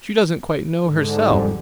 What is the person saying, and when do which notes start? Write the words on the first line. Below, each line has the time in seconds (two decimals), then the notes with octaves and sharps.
She doesn't quite know herself.
0.84 G#2 D3
1.30 G1 F2 G3